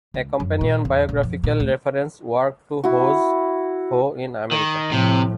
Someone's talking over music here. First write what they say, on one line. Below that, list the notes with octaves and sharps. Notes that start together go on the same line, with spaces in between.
A companion biographical reference work to Who's Who in America.
C#2
F#2
A#2
E2
D#1
F2
A#2
D2
E4 F#4
D#3
A2 C3 F3